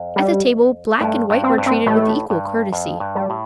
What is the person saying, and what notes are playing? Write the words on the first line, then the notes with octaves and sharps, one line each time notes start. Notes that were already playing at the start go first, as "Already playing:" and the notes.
At the table black and white were treated with equal courtesy.
Already playing: F2
G3
G2 A3
G2
C4
G2
C4
A1 A2 A3
G2
F2
G2
G3
A2